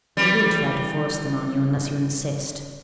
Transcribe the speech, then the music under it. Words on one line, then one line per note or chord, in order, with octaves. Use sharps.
They will try to force them on you unless you insist.
E3 G3